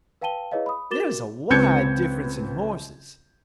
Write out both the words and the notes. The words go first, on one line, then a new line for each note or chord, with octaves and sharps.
There is a wide difference in horses.
B4 F5 G5 A5 D#7 G7
E4 G#4 B4 C#5 D#5 F5
B5 D#6
F#4 A#4 D6 A6 E7 G7
C#2 C4 B4 G6 G#6 C#7